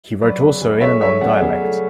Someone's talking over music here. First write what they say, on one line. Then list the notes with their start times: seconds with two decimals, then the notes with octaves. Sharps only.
He wrote also in and on dialect.
0.21 F#3 B4 D5
0.41 C#3
0.62 C#3
0.81 A3 C#5 E5
1.01 F#3 C#5 E5
1.21 C#3 D5 F#5
1.41 C#3
1.61 A3